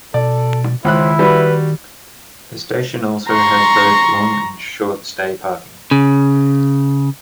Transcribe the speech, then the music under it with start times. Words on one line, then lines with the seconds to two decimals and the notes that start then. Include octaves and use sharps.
The station also has both long and short stay parking.
0.14 B2 A4 D5
0.85 C#2 D#3 E4 C5 B5 F#6
1.19 G3 F#4 B4
3.29 A#5 C6 C#6
5.91 C#3